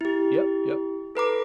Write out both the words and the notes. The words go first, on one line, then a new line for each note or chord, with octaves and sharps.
Yep, yep.
E4 G4
A4 B4 A#5 D6